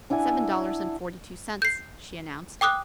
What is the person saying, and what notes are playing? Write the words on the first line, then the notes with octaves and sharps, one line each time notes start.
"Seven dollars and forty-two cents," she announced.
D4 E4 F#5 G#5
G6 C7
G5 D6 D#6 F#6